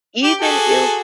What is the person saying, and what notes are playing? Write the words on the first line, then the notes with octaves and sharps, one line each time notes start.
even if
G4
F#4 G#4 A4